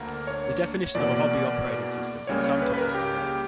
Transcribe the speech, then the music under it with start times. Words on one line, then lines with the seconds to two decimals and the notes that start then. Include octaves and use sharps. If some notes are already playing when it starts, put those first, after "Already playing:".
The definition of a hobby operating system can sometimes be vague.
Already playing: D2 D3 A#3 A#4
0.27 C#5
0.95 E2 B2 A#3 D5
2.27 C#2 C#3 G3 A#3 C#5
2.44 C#5
2.62 B4
2.74 B4
2.78 A#4
2.94 G4